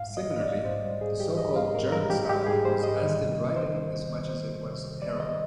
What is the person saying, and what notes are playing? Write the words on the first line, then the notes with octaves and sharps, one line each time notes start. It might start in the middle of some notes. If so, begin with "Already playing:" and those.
Similarly, the so-called German style was as derided as much as it was heralded.
Already playing: G#2 F5
G3
D#5
G#2
D5
G3
G#2 C5
G3
G#2 G#4
G3 G4
G#2 D#5
G3 F5
G#2 A#4
G3 A#4
G#2 G4
G3 G4
G#2 G#4
G3 C5
G3 D#5
D#3
C3
C3
G3 C5
D#3
C3
C3
G3 C5
D#3
C3
C3
G3 D5
D#3 D#5